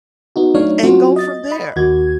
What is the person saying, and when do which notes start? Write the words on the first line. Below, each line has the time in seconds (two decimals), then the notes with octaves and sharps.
And go from there.
0.36 B3 D#4 F#4
0.54 F#3 A3 D4 D#4 C#5 F5
0.83 F#3 C4 C#4 F4 F#4 C5
1.16 D#5 A6
1.51 D#5 B5
1.76 D#2 A#3 F#4 G#6